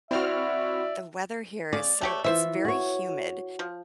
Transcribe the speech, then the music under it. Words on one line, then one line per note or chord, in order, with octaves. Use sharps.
the weather here is so it's very humid,
C4 E4 F#4 D5 E5 F6
C#3 D5
A3 G4 C#5
E3 F4 C5 E5
F#4 C#5
F3